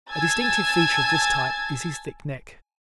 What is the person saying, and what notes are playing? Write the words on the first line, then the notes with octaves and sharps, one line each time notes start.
A distinctive feature of this type is his thick neck.
G#5 A5 E6 G#6 A6